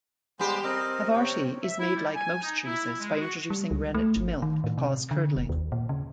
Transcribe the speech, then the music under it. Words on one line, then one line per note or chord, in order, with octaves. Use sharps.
Havarti is made like most cheeses, by introducing rennet to milk to cause curdling.
G3 G#3 B3 G4 C5
C4 A#4 D#5
C3 C#5 G5
E5
E4
G3
G#5
D#4
E4
E4
G#3
F#4
G3
C#2
A3
G#1
D#3
A2
C3
D3
F1
D#2
A#2
C#3